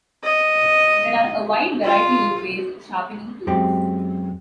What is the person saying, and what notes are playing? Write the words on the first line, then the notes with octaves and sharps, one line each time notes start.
There are a wide variety of ways of sharpening tools.
D#5
F4
F#2 G#3 C4 G4